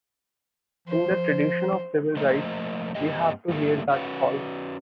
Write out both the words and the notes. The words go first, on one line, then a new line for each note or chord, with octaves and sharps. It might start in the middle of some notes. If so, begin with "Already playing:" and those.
In the tradition of civil rights, we have to hear that call.
F3 C5
F3 A3 A#3 C5 D#5
G2 A#3 C4 G4 D#5
G2 E3 G3 A3 A#3
C#4 F#4 B4